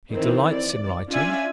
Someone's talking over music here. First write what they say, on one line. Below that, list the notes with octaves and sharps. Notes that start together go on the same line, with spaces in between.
He delights in writing.
D#3 E3 C4 D#4
D5
C#4 D4 F4 D5 E5 G#5